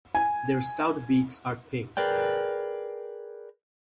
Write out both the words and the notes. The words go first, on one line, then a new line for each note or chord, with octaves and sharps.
Their stout beaks are pink.
G#5
G#4 A#4 B4 D5 G5